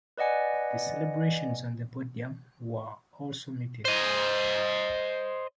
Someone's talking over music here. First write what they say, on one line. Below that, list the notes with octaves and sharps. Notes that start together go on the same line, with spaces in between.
The celebrations on the podium were also muted.
B4 D5 D#5 F#5 G#5
C5 D#5